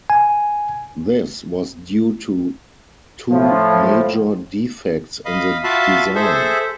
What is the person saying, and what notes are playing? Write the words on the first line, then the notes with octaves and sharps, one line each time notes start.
This was due to two major defects in the design.
G#5
A2 F3
D#5 F5 B5
F4 F#4 E5 F5 A5 B5
G#4 A4 C5 E5